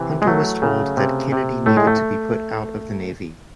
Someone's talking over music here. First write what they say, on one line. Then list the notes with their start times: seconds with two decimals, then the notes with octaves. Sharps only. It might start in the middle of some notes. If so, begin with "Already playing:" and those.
Hunter was told that Kennedy needed to be put out of the Navy.
Already playing: C3 E3
0.22 G#3
0.27 F#3 A3
0.62 C#3
0.97 C3
1.32 C3
1.66 A2 A3
1.77 G#3
1.87 A3